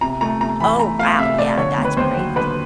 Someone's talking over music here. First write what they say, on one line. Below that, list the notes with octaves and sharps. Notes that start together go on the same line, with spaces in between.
Oh, wow, yeah, that's great.
C3 A#5
A3 A#5
C3 A#5
E3 B5
A3 A#5
A3 F5
C3 E5
A3 D5
D3 C#5
D#2
B4
D#2 C5
F#3
D3 B4